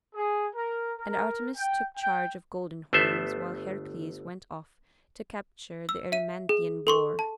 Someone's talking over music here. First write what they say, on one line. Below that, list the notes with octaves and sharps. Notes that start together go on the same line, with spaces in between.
And Artemis took charge of Golden Horns while Heracles went off to capture the Erymanthean boar.
G#4
A#4
A#4
G5
G5
G1 A3 B3 C5 E5
E6
E5 D#7
G#4
A4 C6 C#6
A5